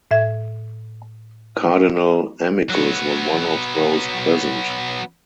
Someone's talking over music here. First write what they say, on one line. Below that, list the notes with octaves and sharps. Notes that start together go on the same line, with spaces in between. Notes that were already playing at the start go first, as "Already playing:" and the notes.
Cardinal Amicus was one of those present.
A2 E5 G#6
F#3 B3